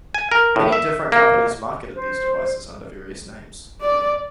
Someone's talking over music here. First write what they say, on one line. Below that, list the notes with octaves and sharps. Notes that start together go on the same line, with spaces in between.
Many different companies marketed these devices under various names.
G#5
A#4
A2
E5
A#3
C5
D5